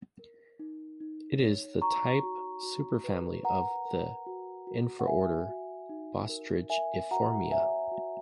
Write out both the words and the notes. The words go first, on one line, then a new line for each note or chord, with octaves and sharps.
It is the type superfamily of the infraorder Bostrichiformia.
A#4
D#4
D#4
C#5
F#4 A#5 C#6
F#4
F#4
B4
A#4 F#5 A#5
A#4
F#4
F#4
F#5
F#4 E5 G#5
F#4
D#4
A#4
A#4 E5 G#5
F#4 F#5 A#5
C#5 E5 G#5
F#4